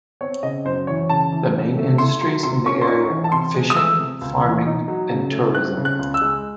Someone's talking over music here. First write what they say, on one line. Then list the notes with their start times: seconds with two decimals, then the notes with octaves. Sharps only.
The main industries in the area are fishing, farming, and tourism.
0.21 C4 C#5
0.43 C#3 D#5
0.65 F#2 C5
0.87 E3 C#5
1.09 C#3 A5
1.32 E3
1.55 C#3
1.77 A3
1.98 E4 C6
2.21 F#3 C6
2.43 C3 C6
2.66 C#4 C#6
2.81 C6
2.88 D#4 C#6
3.10 E3
3.24 A5
3.32 C3 C6
3.54 G#3
3.70 D#6
3.76 A3 E6
3.99 C3
4.22 C#2
4.44 E3
4.66 D#4
4.88 F#3
5.10 C#3
5.32 A3
5.55 C4 F#6
5.77 C#3
5.85 F#6
5.99 C#2
6.14 E6
6.21 G#3